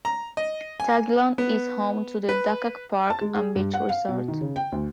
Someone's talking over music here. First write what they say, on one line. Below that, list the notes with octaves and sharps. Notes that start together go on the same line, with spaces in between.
Taguilon is home to the Dakak Park and Beach Resort.
A#5
D#5
G#5
B3
B4
A5
G#3
G#4
G2
F#5
F5
B2
D#3
C#3
G5
D2